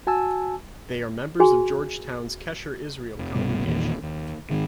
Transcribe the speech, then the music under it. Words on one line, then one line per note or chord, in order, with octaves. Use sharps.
They are members of Georgetown's Kesher Israel Congregation.
F#4 G#5 A5 E6
F#4 G#4 G#5
F1
C2 G2 B2
E2 A#2 D#3
D#2
G#2 D#3